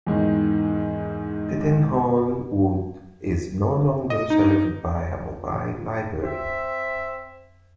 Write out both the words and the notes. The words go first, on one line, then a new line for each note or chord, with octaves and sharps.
Tettenhall Wood is no longer served by a mobile library.
E2 G#2 D#3
D#5
D#4
C4 E5